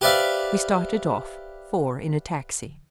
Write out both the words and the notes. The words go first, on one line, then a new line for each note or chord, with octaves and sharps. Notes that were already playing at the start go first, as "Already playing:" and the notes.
We started off--four in a taxi.
G4 B4 C5 D5 E5 F5